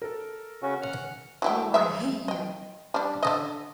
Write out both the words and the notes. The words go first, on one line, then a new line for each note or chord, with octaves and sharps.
Oh, I hate you!
A4 A#4
C#3 C#4 F#4
F#5 F6
F#3 E4 G5
G#3 E5
D#5 G5
G3 D4
D3 A4 D#5